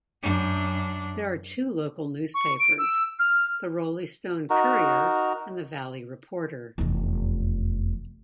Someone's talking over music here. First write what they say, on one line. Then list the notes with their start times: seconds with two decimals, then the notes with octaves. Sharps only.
There are two local newspapers: the Roleystone Courier and the Valley Reporter.
0.23 F#2 D4
2.34 C#6
2.60 D7
2.78 E6
3.19 F6
4.50 D#4 F#4 A#4
6.78 F1 E2